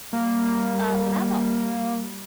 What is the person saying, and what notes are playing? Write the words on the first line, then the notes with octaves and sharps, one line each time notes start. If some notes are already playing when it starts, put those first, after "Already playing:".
uh, level.
G3 A#3